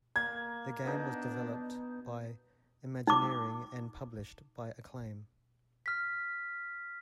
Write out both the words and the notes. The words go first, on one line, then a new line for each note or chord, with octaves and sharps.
The game was developed by Imagineering and published by Acclaim.
A#3 G#6
B2 D4 D#4
D#4 D6
F6 B6